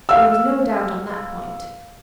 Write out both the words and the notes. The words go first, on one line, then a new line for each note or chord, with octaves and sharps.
There was no doubt on that point.
F5 E6